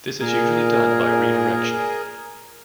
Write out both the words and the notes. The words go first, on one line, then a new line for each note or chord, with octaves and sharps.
This is usually done by redirection.
A#2 G#4 A#4